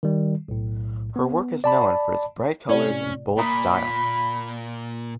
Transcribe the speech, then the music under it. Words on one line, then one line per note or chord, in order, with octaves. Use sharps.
Her work is known for its bright colours and bold style.
D#3 G3
B1 A2
B3
D5 A5 B5
A2 C3 C#4 D5
A#2 E5 A#5 B5 D#6